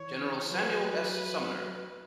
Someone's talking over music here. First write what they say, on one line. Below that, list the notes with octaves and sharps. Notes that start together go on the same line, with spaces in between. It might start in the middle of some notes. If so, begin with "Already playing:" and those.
General Samuel S. Sumner.
Already playing: E3 C#5
F#3 B4